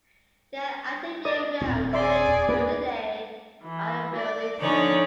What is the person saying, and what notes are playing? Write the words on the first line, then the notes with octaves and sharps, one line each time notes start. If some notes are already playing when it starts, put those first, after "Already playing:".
They are active year-round, mainly during the day, but are rarely seen.
D5 D#5 D#6
D#1 C4
G#4 D5 E5 C6
A#3 B4
E3
D5
D3 F3 C#4 D#4 C#5 D5